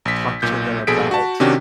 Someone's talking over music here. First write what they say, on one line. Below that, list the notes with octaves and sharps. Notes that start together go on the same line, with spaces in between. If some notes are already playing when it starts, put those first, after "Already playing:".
talk to her about
A#1 B6
B1 A#2 G6
A#1 B2 G#4 A4 B6 D7
F#4 A5
C3 D#3 C#4 D4 F#4 G4